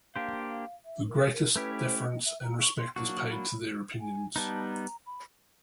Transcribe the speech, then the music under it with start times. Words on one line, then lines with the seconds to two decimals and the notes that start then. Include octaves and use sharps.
The greatest deference and respect is paid to their opinions.
0.15 A#3 D4 G4 C5 F5
0.50 F5
0.85 E5
1.09 A#4
1.32 A#4
1.55 A3 C#4 E4 G4 B4
1.79 C5
2.02 D#5
2.25 E5
2.43 A#5
2.61 C#6
2.78 C6
2.96 F#3 A#3 D4 F#4 C#6
3.31 B5
4.01 G#5
4.36 G3 B3 D#4 A5
4.72 A#5
5.06 B5